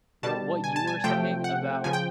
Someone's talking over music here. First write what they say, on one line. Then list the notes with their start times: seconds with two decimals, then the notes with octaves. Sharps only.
wh what you were saying about
0.23 B2 G3 A5
0.64 G#5
0.76 A5
0.87 G#5
1.04 C3 F3 A3 G5
1.44 F#5
1.84 C#3 F3 G#5
1.93 G5